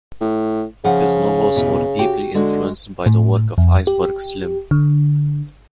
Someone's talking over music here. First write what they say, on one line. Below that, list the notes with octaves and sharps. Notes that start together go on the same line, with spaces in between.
His novels were deeply influenced by the work of Iceberg Slim.
A2
C#3 F3 F#5
E2 B2 E3
F#4 G4 G5
D3 G#3 F#4
A2
F2
G4
D3